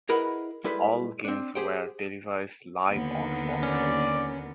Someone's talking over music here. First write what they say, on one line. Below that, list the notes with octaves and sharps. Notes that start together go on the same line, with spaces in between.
All games were televised live on Fox Footy.
E4 G#4 A#4 B4 D#5 F#5
G3 G#3 E4 A4 B4
C4 D4
G4 G#4 C5 F#5 G5
D#2 D3 B3 A#4
C#4 D5